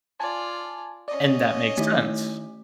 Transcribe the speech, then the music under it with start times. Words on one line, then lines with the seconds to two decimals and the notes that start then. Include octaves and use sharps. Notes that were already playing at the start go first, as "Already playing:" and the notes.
and that makes sense.
0.20 F4 D5 G#5 A5
1.08 C#4 D5 D#5
1.78 D#3 A3 E4